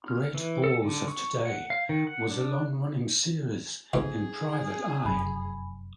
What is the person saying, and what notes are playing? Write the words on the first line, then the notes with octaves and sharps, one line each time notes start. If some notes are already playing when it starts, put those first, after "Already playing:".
"Great Bores of Today" was a long-running series in "Private Eye".
F6
E3
A4
D3
C#6
F#5
F5
D#3
F#5
D4
F2 G#2 B2 G#4
F1 F#2 G#5 B5